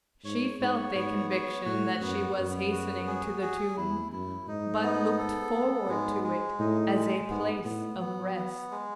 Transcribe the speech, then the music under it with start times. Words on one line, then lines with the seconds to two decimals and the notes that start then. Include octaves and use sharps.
She felt a conviction that she was hastening to the tomb, but looked forward to it as a place of rest.
0.25 G#2 C#5
0.60 G#2 C#5
0.95 G#2 B3
1.30 C#5
1.65 A2 F#4
2.01 F#2 B3
2.36 F#2 B3
2.72 F#4
3.07 G#4
3.42 G#4
3.77 E2 E4
4.12 F#2 E4
4.48 G#2 D#4
4.83 B3
5.18 A4
5.53 B3
5.89 G#2 G#3
6.24 G#3
6.59 A2 D#4
6.95 G#3
7.30 G#2 B3
7.65 A2 B3
8.00 F#3 B3
8.36 B3
8.71 G#3